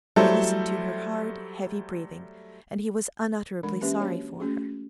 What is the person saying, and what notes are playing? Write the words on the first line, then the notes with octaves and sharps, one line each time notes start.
He listened to her hard, heavy breathing, and he was unutterably sorry for her.
F#3 G3 A3 E4 A4 C5
E3 G#3 D4 A#4 B5
A#3 C#4 G4 B4 E5
A#3 D4 F#4 C#5
A3 C#4 F#4 G#4